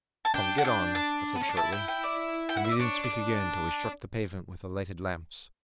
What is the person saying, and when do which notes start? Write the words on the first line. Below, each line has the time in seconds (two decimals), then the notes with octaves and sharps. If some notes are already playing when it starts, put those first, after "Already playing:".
"Come, get on," I said shortly; and we didn't speak again till we struck the pavement with the lighted lamps.
0.25 A5
0.34 D4 G5
0.58 F#5
0.65 G5
0.95 A5
1.36 B3
1.43 C#4
1.49 D4
1.57 E4 A5
1.72 G5
1.88 G5
2.04 D5
2.49 G5
2.57 F#5
2.65 E5
2.72 D5
2.80 D4 C#5
3.04 D5